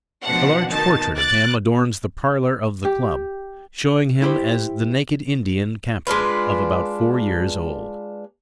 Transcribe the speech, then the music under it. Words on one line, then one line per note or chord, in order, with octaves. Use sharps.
A large portrait of him adorns the parlor of the club, showing him as the naked Indian captive of about four years old.
B2 F3 D4 F#5
B2 D#3 D#4 A5 A6
D6 F#6 A6
G4
E4 G4 C5
G#3 D4 F4 B4